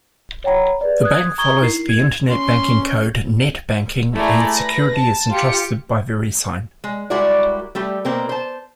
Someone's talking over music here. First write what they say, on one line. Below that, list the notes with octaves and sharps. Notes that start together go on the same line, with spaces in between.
The bank follows the internet banking code NetBanking and security is entrusted by Verisign.
C#5 F#5 G5 A#5 B5
G#4 B4 D5
D#6 F#6 G#6
A#5 C#6 D#6 G#6 G7
D#4 E4 A#4 C7
G#6
C#4 C6
A3 E4 G#4 D5 A#5
B4 A#6
A5
F4 G4 C#7
G#3
G3 G#3 E4 F#4 A#4 D5
G3 A3 G4
B2 A#3 C4 A#4
C5 A5